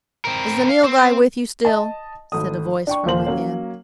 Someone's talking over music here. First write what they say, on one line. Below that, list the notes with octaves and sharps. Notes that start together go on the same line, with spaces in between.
'Is the Nilghai with you still?' said a voice from within.
C4 A#4
F5
C4
D#5 A5
G#1 A3 D#6
D4 G5 C#6
D#1 F3 A#3 C5 F#7
F#3 A#3 C#4